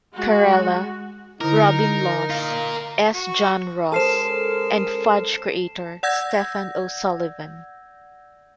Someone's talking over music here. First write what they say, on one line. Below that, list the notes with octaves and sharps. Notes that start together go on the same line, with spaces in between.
Carella, Robin Laws, S. John Ross, and "Fudge" creator Steffan O'Sullivan.
G#3 F#4
D3 D#4 E4 A#4
F4 A#4
F#4
G#3 C#4 A4 A#4 C5 A5 C7 E7
D5 F#5 E6 G6 G#6 A#6